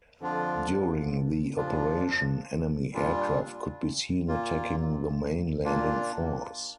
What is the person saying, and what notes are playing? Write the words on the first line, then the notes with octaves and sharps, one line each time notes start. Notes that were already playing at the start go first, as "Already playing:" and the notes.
During the operation, enemy aircraft could be seen attacking the main landing force.
F2 D3 F3 D4 F4
A#2 F3 D4 F4
A#2 G3 D4 F4
A#2 A#3 F4
A#2 A#3 D4 F4